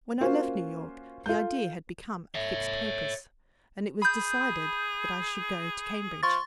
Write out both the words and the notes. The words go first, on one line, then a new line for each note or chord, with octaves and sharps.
When I left New York the idea had become a fixed purpose; and it was decided that I should go to Cambridge.
A#3 C#4 F4 F#4 C5
F4 A4 G6
C#5 E5
G#4 B5 G6
F3 C6 C#6 A6